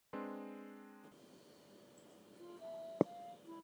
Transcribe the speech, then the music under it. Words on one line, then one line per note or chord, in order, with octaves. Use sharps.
The Red Lodge cemetery contains a memorial.
G#3 C4 D4 B4 C6
F4
E5
F5
E4